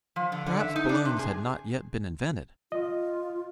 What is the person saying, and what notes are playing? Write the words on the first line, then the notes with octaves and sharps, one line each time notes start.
Perhaps balloons had not yet been invented.
F3
D3
D3
E5
D#4
D4
C3
G#4
F4 D#5